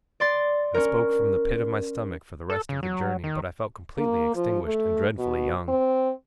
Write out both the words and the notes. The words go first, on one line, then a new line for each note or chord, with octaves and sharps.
I spoke from the pit of my stomach for the rest of the journey, but I felt completely extinguished, and dreadfully young.
D5 C6 A6
C#4 A#4
A4
C#3
F#3
D#3
A#3
F3
A3
B2
C4